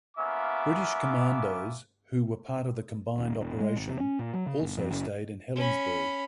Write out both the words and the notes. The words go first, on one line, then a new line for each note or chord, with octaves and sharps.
British commandos who were part of the combined operation also stayed in Helensburgh.
A#3 B3 C#4 F4 E5 D6
D#1
E1
G#3
G#1
C3
C#4
A#2
F#3
C#3
G1
F2
F#1
C#4 B5